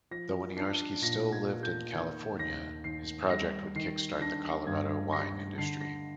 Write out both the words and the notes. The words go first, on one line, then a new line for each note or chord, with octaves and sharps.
Though Winiarski still lived in California, this project would kickstart the Colorado wine industry.
F3 A#6
D4 C7
A#2 A#6
G#6
A#3
G6
D#3 G#6
D#2 A#6
D#2 C7
G3 A#6
D#3 C7
D4 A#6
G2 G#6
G3 A#6
D3 C7
A#6